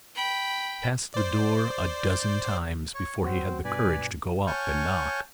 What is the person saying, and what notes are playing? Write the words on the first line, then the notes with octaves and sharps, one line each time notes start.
He passed the door a dozen times, before he had the courage to go up and knock.
G5 B5
C5 D5
C#5 C#6
F#3 C4 F#4 F#5
G2 B2 B4 D5 G#5
C#5 F#5 G#5 A5 F6 G6